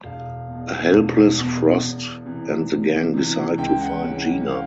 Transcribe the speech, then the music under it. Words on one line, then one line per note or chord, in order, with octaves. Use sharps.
A helpless Frost and the gang decide to find Gina.
E1 F5
E2 B2
E1
E2 B2
E2
C3 E3
E2
C3 E3
C#2 G5
F#5
C3 E3 G#3 C#4 F#5
F#5
F#5
F5